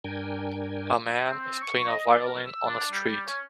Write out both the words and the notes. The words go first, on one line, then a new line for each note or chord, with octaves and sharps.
A man is playing a violin on a street.
G2 D4 A#4 G5 G#5
C4
C#6
D#5
D5
A#4
E6
D4
G3
C#4